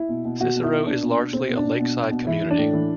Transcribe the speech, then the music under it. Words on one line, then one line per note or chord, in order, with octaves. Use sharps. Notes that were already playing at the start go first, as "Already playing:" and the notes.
Cicero is largely a lakeside community.
Already playing: E4
B2
B2
B2 F#4
B2
E4
B2
B2 D4
B2
B2
B2 C4
B2
D4
B2
B2
B2
B2
E3 E4
E3
D4
A2
E3